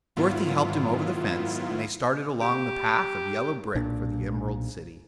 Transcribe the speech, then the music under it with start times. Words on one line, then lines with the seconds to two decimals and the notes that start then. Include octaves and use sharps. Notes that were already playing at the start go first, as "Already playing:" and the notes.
Dorothy helped him over the fence, and they started along the path of yellow brick for the Emerald City.
0.17 G#2 D#3 F#3 B3 E4 F4
2.42 G4
3.75 B1 A#2 D4